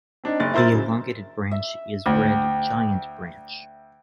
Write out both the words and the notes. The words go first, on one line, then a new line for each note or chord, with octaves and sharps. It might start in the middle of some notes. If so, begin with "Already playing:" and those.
The elongated branch is Red giant branch.
C4 D4 D#4
F#1 A6
E4 A#4 C5 E6 A6
F#2 C#3
E5
D2 G5